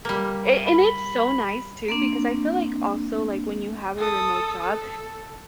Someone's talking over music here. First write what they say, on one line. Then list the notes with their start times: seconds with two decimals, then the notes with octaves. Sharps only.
A and it's so nice, too, because I feel like also, like, when you have a remote job,
0.05 G3 A#3
0.67 B5
1.88 A#3 C4 D4
3.98 A4 D#6
4.61 A4